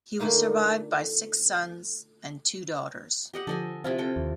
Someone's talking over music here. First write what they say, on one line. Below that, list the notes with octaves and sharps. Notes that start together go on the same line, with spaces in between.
He was survived by six sons and two daughters.
D3 A3 A#3 D#4 F4
G4 D#5 F#5
D3 F3 A4 D#5 G#5
C3 C4 E4 F4 F5
A4 G5
D#2